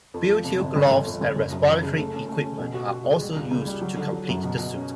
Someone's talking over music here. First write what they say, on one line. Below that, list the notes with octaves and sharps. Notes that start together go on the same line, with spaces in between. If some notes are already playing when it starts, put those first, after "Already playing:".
Butyl gloves and respiratory equipment are also used to complete the suit.
F2
F3
C3
G1
G1
G1
F2
G1
F#1
F#2
F3
C#3
A3
C#4
A3
C#4
B2
F#4
F#4
G#3
G3
C#2
C#2
G3
F#3
D3
F#3
F#2
B2
B2
C#4